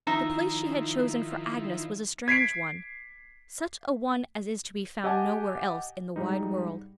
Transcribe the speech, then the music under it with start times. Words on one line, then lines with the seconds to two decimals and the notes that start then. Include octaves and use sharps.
The place she had chosen for Agnes was a strange one--such a one as is to be found nowhere else in the wide world.
0.07 D#3 F3 D#4 E4 E5 A#5
2.28 G#6 B6 C7 D7
5.04 G4 D#5 F#5 G#5 A5
6.16 G#2 G3 D#4